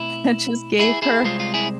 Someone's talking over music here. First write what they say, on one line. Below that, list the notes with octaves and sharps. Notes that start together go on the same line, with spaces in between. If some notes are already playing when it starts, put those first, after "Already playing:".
and just gave her
Already playing: B2 A3 C4 E4
E4 G#4
E4 G#4
C2 C3 G#3 C4 F4
F4
E4 G#4